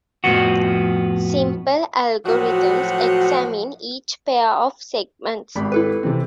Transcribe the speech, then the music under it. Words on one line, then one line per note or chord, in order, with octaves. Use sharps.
Simple algorithms examine each pair of segments.
F2 A2 F3 B3 F#4
A2 F3 F#3 F#4
G#1 G4 B5
E4 A4 B4
C3 E3 C4